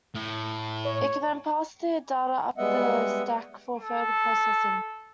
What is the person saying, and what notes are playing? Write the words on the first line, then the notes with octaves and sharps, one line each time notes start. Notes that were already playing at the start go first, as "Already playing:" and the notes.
It can then pass their data up the stack for further processing.
A2
C#5
G3 G#3 B3 D#5 E5 F#5
A4